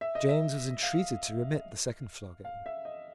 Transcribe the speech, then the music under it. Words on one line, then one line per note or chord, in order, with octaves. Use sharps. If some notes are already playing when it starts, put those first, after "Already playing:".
James was entreated to remit the second flogging.
E5
D#5
E5
F5
F5
E5
D#5